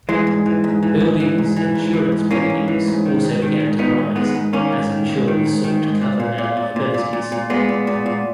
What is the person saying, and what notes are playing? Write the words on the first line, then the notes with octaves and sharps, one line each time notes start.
Buildings insurance premiums also began to rise as insurers sought to cover their liabilities.
E3 G#3
G#2
E3
G#2
E3
G#2
E3
G#2
E3
G#2
E3
G#2
E3 A#3 C#4
G#2
E3
G#2
D#3
G#2
D#3
G#2
D#3 B3 D#4
G#2
D#3 G#3 B3
G#2
D#3 A#3 C#4
G#2
D#3
G#2
D#3
G#2
D#3
G#2
A#2
A#2
A#2
A#2
A#2
A#2
A#2
A#2
A#2 G#3 B3
A#2
A#2
A#2